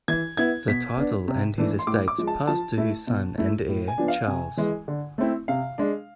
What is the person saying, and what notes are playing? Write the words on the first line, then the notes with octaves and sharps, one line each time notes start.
The title and his estates passed to his son and heir Charles.
E3 G#6
B3 E4 G#6
B2 B6
B3 D4
C3
E3 A3 D4
C6
A2 D6
D6
F3 G#3
A5
F3 A5
A3 E4
B2
A3 E4
A2
G#5
F3 B3 D4
F5
C3 G#5
E3 G#3
D3
A3 C4 E4
C3 F5
G#3 D4